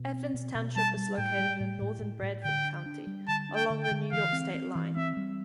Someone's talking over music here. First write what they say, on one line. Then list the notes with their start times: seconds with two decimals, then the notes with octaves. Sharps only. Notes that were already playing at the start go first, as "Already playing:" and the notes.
Athens Township is located in northern Bradford County, along the New York state line.
Already playing: B2
0.13 C4
0.34 B2
0.55 B2
0.76 G3 A5
0.97 G3
1.18 A2 G5
1.39 G3
1.60 A2
1.82 A2
2.02 A2
2.22 A2
2.44 D3 G5
2.64 D4
2.86 D4
3.07 G3
3.28 D3 A5
3.49 D4
3.56 G5
3.70 D3
3.83 G5
3.91 D3
4.12 E3 F5
4.33 C4
4.54 C4
4.75 E3
4.96 C4 E5
5.17 G3